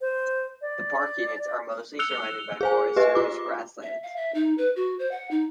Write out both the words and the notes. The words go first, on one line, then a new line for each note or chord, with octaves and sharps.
The park units are mostly surrounded by Forest Service grasslands.
C5
D5
E6 F#6 C#7 F7 G7
G#4 C5 G#5
G4 B4 D#5
F4 D6
E5
F5
E5
D#4
B4
F#4
C5
F#5
D#4